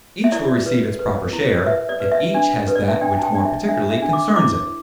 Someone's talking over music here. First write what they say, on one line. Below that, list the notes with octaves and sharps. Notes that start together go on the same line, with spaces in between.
Each will receive its proper share, if each has that which more particularly concerns it.
E5
E4 D5
B4
B4
E4
B4 E5
D5
B4
E5
D4
B4
D5
E5
D4 G5
A5
G5
D4
E5
D4 E5
E5
D4
D6
E4 D6